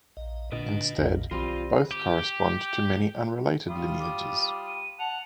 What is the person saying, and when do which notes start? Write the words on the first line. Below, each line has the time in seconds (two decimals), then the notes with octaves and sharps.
Instead, both correspond to many unrelated lineages.
0.17 A#1 D#5
0.52 A#2 D3 D4 B4 D#5
0.98 A#1 F2 A#2
1.31 B1 D#3 G3 C4 F4 C6
1.91 G4
3.69 G3 F4 D#6
3.99 D6
4.66 D#7
4.99 F#5 A5 F7